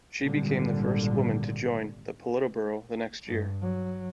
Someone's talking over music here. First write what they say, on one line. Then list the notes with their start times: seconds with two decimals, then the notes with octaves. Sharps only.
She became the first woman to join the Politburo the next year.
0.22 G#1 A#2 D3 G3
3.28 G2
3.61 F#3